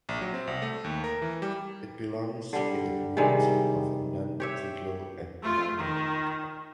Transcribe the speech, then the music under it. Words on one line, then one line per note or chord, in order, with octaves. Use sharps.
It belongs in the community of Nantyglo and Blaina.
A#1
F#3
C4
C2
A3
D#2
A#4
E3
G3
D3 G3
C3 D#3 G3 G#3
G4 C#5 E5
A3 F4
D#3